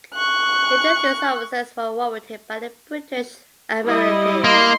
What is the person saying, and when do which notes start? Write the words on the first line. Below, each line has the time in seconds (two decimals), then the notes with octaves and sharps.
Later these officers were "warranted" by the British Admiralty.
0.15 C#6 F#6
3.84 G3 E4 D#5
4.44 A#3 C6